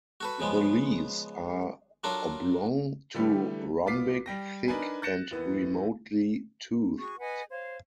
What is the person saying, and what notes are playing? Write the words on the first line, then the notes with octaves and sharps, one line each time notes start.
The leaves are oblong to rhombic, thick, and remotely toothed.
F#4 A4 B4
C#3 F3 G#3 B3
F#3 D4 F4 A4 A#4
D3 E3 G3 A3 G4
C2 B3 F4 D6 B6 C7
G3 G5 A#6
D4 D#4 A#4 B4 G#5 B5
F#6 G6 A6 A#6 C#7 E7
D#2 E3 B3
F#4 G#4 C#6
B4 D#5 F#5 G#5
C5 C#5 F5